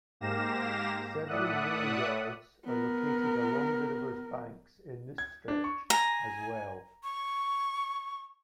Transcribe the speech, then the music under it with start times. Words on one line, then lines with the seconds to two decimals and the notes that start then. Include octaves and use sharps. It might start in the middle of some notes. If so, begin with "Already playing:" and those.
Several rail yards are located along the river's banks in this stretch, as well.
0.21 G#2 A#3 G4 F5 A#6 E7
1.28 A2 D5 E5 F#5 D#6 F#6
2.65 B3 A#4
5.18 G#6
5.48 D4
5.64 C#6
5.90 G#5 A#5
7.04 C#6